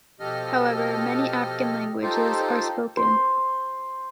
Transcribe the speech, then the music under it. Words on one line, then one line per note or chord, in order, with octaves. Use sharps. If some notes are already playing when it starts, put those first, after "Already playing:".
However, many African languages are spoken.
B2 F3 G4 A4 D#5 F6
D#4 F4 G4 A4 C5
C5